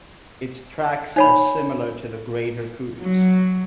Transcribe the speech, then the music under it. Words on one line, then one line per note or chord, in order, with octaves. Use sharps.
Its tracks are similar to the greater kudu's.
D#4 C#5 B5
F#3